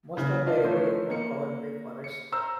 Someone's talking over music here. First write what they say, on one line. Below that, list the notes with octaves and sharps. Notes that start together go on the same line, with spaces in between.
Most of the area is now covered by forest.
C#3 E3 A#3
D4 F4 D#5
E3 F3 A3 A#4 C5 C#5
A#3 C#7
C#7
C5 A#5 E6